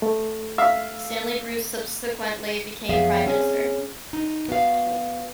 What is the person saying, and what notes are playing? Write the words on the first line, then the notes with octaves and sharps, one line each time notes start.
Stanley Bruce subsequently became Prime Minister.
A3
E5 F5
F2 F#3 B3 G#4 E5 F5
C4 C#4 G#4
D#4
B3 F#4 F5